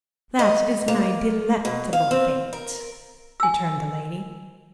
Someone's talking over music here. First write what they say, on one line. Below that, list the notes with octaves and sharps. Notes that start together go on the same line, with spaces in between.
"That is my delectable fate," returned the lady.
D#5
A#3
B2
F5
C4
A#4
G#5 E6